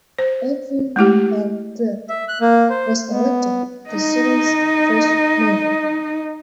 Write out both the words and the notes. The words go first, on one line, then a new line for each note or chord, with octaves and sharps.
Edwin L. Dirck was elected the city's first mayor.
C5
G#3 A3 E4 G4
E5
F#6
A#3
C5
B3
D#4 D#5